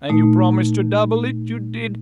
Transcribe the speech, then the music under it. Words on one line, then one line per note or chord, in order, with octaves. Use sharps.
And you promised to double it--you did!
A#2 A3 D#4